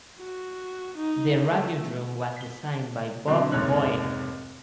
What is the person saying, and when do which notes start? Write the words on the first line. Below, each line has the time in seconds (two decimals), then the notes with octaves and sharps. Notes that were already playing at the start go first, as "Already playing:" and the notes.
The radiodrum was designed by Bob Boie.
0.20 F#4
0.97 D#4
1.53 A3
2.37 B6 G7
3.27 B2 D3 F#3 C4
3.52 F1 D#2 G#2 D#4 C#5 F#6